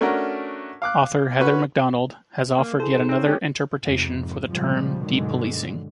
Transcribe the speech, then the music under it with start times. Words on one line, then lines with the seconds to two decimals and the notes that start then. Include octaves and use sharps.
Author Heather Mac Donald has offered yet another interpretation for the term de-policing.
0.01 A3 C#4 D4 F#4 A#4
0.82 F5 D6 F#6
1.40 C#4 F#4 B4 C#6
2.58 A#3
2.80 E4 G#4 A4 C5
2.97 D#4
3.09 C4 C#4
3.26 G#3 C#4 G4
3.83 F2 G#2 C3
4.51 A#2 C#3 F3 G3 G#3
5.04 G2 B2 D3 D#3 F#3 G#3